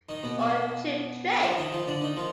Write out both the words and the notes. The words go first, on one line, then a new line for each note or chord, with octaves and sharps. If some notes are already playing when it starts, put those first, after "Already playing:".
Or Cheap Trick.
D#3 D#4
B2 B3
B2 B3
F3 F4
D#3 D#4
F3 F4
D3 D4
D#3 D#4
F3 F4